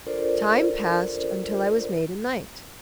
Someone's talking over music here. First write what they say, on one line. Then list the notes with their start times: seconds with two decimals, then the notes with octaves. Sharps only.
Time passed until I was made a knight.
0.07 D4 F4 A4 A#4 C5 D5